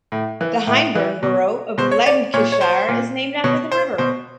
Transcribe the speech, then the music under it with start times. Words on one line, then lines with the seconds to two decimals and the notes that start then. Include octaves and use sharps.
The Hyndburn borough of Lancashire is named after the river.
0.12 A2
0.41 E3
0.67 A2
0.95 E3
1.23 B2
1.78 B2 C5
1.91 C#5
2.06 D5
2.34 A#2 C#5
2.52 C#5
2.61 C5
2.88 A#2
3.44 B2 C#5
3.72 C5
3.98 B2 C5